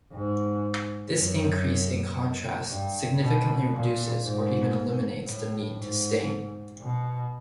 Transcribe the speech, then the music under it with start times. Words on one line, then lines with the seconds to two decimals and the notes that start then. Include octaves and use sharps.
This increase in contrast significantly reduces, or even eliminates the need to stain.
0.13 G#2
1.16 F#2
2.70 G2
3.22 B2
3.73 A#2
4.25 G#2
5.27 A2
5.79 G#2
6.81 B2